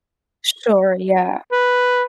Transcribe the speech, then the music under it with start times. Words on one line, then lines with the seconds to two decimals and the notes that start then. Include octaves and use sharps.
Sure, yeah.
1.52 B4